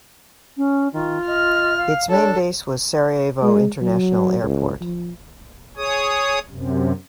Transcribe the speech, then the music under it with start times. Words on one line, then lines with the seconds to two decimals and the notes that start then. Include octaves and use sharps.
Its main base was Sarajevo International Airport.
0.57 C#4
0.92 D#3 F4
1.26 D#5 F6
1.77 F5
2.09 D4 A4 C#5
3.43 G#3
3.82 F#3
4.42 C#2
4.80 F3
5.77 G#4 C#5 D#6
6.50 F#2 C3